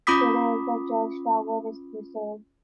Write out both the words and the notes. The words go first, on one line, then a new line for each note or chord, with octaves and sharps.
Today the church tower is preserved.
C#4 F4 B5 D6 D#6 B6